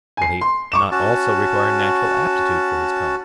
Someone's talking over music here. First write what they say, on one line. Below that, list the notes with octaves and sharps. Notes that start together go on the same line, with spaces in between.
Will he not also require natural aptitude for his calling?
G#5 C7
C6
C#6 D6 E7
C#4 F#4 A5